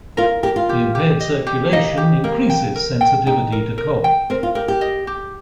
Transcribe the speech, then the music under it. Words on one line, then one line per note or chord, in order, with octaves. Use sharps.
The impaired circulation increases sensitivity to cold.
F4 A#4
G4 A#4
F4
G4
G4
D#5
G4
A#3 D#5
G4
A#3 A#4
G5
A#4
G5
D#4 G5
A#4
A#4
G5
C4 A#4
F4
G4 A#4
G4
D#5
G4